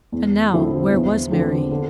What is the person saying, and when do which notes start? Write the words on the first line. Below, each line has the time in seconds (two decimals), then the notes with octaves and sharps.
And now, where was Mary?
0.12 E2
0.53 D3 F3 C4 E4
0.92 E2
1.31 D3 F3 C4
1.71 D3